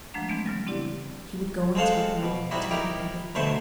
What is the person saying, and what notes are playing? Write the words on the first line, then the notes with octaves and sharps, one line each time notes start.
He would go and tell Irwine--tell him everything.
F3 G#3 A3 D4 F#5 A#5
E3 G#3 A3 B3 C4 D4
C#3 F#3 G3
C4 D4 E4 G4 D5
G#3 C4 A4 C5 F5 F#5
B2
G3 C4 D#4 E4 F#4
D#4 E4 G4 A#4
D2 B2 F#3 C5 E5 C#6